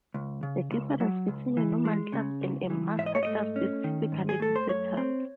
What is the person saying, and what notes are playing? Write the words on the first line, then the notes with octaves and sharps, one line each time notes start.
The difference between a normal class and a master class is typically the setup.
C#2
C#3
C#2
F#3
C#2
E3
G#3
C#3
C#2
E3
G#2 E5
D#5
C#5
A3 D#5
C#4
D#3
G#2
G#4
A3 A4
C5
F#2 C#5
C4